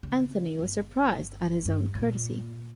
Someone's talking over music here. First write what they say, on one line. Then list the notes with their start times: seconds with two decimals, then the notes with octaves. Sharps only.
Anthony was surprised at his own courtesy.
0.03 C#3
0.59 G1
1.65 G2
1.95 A#2